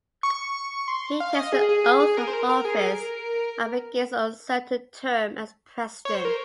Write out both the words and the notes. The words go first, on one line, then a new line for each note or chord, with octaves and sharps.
He takes the oath of office and begins an uncertain term as President.
C#6
C6
F5
D#5
G#4
G#4
G#4
G#4
A#4
C5
A#4
A#4
G#4
A#4
C#5
C5
A#4